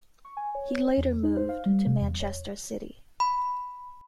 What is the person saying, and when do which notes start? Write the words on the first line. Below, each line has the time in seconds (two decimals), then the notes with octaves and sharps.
He later moved to Manchester City.
0.25 C#6
0.37 G#5
0.55 C#5
0.97 E2
1.23 D#4
1.37 C5
1.49 F5
1.66 G3
1.86 C3
2.01 E2
2.21 C#5
3.20 B5